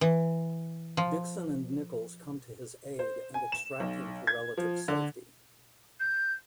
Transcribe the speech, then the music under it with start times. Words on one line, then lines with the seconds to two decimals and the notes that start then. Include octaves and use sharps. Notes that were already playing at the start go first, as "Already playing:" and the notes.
Dixon and Nichols come to his aid and extract him to relative safety.
0.01 E3
0.97 F3
2.99 C5
3.34 G#5
3.52 E7
3.80 B1
4.27 G#6
4.57 F3
4.88 D3
6.00 G6